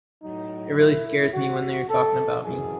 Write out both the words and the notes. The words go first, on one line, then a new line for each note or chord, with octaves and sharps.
It really scares me when they are talking about me.
A2 F#3 D#4
E4
F#4
A4
F#2 E3 G#4